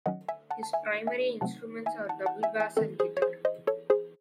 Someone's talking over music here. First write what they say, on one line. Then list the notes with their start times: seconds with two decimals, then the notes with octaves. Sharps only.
His primary instruments are double bass and guitar.
0.06 D#3 F#3 C#4 D#5 F#5
0.28 E5 G#5
0.50 F#5 A5
0.63 A5
0.73 E5 G#5
1.07 E5 G#5
1.41 C3 F#3 A3 C4 F#5 A5
1.86 E5 G#5
2.09 F#5 A5
2.26 F#5 A5
2.43 E5 G#5
2.60 E5 G#5
2.77 D#3 A3 C4 A4
3.00 G#4 C5
3.17 C#5
3.22 G#4 C5
3.45 C5 D#5
3.67 A4 C#5
3.90 G#4 C5